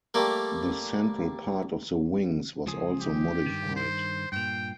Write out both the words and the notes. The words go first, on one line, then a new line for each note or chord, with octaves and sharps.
The central part of the wings was also modified.
G3 A3 A#3 A#4
C#2 F3 G#4
G4
G2 D#3
C5
G2 A#2 G5